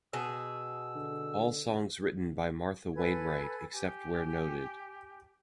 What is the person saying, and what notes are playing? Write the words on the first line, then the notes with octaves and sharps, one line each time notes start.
All songs written by Martha Wainwright except where noted.
B2 G#4 E6
D3
A4 B4 G#5 G#6
G4 G#5